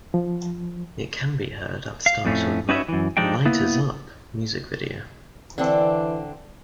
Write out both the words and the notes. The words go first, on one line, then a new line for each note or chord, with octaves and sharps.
It can be heard at the start of the "Lighters Up" music video.
F3
F5
F2 A2 A3 C#4
C#4 D#4 F#4 B4 C#5 E5
F#2 E3
F3 G#3 D4 D#4 G5
A#3 B3 E4
D3 E3 C4 D4